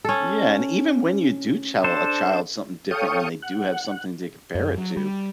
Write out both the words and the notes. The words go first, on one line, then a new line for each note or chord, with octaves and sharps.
Yeah, and even when you do tell a child something different, when they do have something to compare it to,
C#4 A4
D4 A4 C5
A4 C#5 F5 G5 C#6 D#6
F#5
F#2
F#3
G3